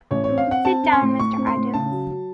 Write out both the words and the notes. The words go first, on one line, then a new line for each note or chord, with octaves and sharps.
Sit down, Mr. Adams.
A1 C#5
C4 C#5
F5
C4 F#5
C4 A5
C4
C6
A2
A2 C#6
C4
C6
A2
C#3 A5
F#3
F#3